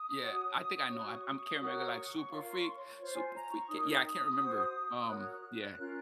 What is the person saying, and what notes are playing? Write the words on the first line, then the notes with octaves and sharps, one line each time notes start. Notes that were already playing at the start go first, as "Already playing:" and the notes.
Yeah, I think I know. I'm I'm Kara Mega, like, super freak, super freaky, yeah, I can't remember, um, yeah.
Already playing: D#6
F#4 C#5
F#4 C#5 C#6
D#6
C#6
D#6
C#6
D#6
C#6
D#6
C#6
F#4 A#4 C#5 D#6
C#6
D#6
C#6
F4 A#4 C#5 F5
C6
C#6
C6
C#5
F4 C5 C#5
G#5
A#5
C#6
D#4 A#4 C#5 D#6
F#4 C5
F#4 A#4 C#5 F#6
C#4 F4 A#4 C#5